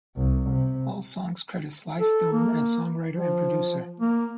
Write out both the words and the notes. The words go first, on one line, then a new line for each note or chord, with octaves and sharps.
All songs credit Sly Stone as songwriter and producer.
C2
C3
A4
A#3
F3
A#3